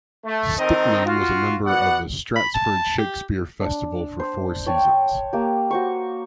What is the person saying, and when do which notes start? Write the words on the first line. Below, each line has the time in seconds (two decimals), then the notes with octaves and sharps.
Stickney was a member of the Stratford Shakespeare Festival for four seasons.
0.25 A3
0.58 D#3 C4 A4 A#4 D#5
1.05 F4 F#4
1.65 B3 F#4 D5 F#5
2.36 B5
2.54 A5
2.98 G4
3.61 D4
4.20 C5
4.66 C#5 G5 A5
5.33 A#3 G4
5.71 F#4 C5 C#6